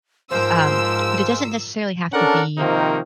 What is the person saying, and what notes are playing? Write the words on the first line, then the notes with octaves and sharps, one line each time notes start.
um, but, it doesn't necessarily have to be,
G#2 F3 G#3 F4 A#4 C5 E6
C#4 D4 A4 A#4 F#5
C3 D#3 F3 A#3 D#4